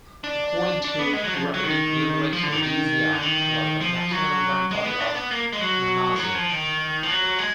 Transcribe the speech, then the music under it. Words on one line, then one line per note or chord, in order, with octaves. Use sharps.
According to rabbinic literature, Isaiah was the maternal grandfather of Manasseh.
D4
D4
B3
G#3
F#3
F3
F#3
D#3
F3
D3
D#3
D#3
D3
D#3
F3
F#3
G#3
B3
D4
B3
A#3
G#3
F#3
F3
F#3
F3
D#3
F3
F#3
G#3